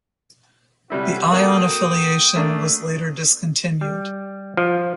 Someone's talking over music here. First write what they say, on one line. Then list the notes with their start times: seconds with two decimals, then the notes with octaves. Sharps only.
The Ion affiliation was later discontinued.
0.90 C3 G3 C#4 E4 F#4 B4
1.32 A#3 F#4 A4 G5 D#6
2.35 A3 A#3 D4
3.81 G3
4.57 F3